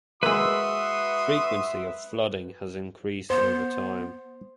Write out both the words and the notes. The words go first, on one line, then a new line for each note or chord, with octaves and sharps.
Frequency of flooding has increased over time.
G#3 A#3 F#4 B4 E5 C6 D#6 E6
B3 C5